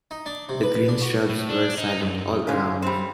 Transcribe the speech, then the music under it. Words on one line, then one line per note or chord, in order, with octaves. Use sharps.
The green shrubs were silent all around.
D#4
D4
C3
B4
D4
F#4
A2
D4
D#4
F#2
D3 G#3 A#3 C#4
G3 C4